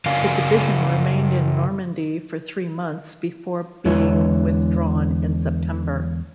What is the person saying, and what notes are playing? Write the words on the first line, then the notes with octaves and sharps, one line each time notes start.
The division remained in Normandy for three months before being withdrawn in September.
C#3 F#3 A#4 D5 F5 G#5
E2 D3 G#3 E4 B4 C#5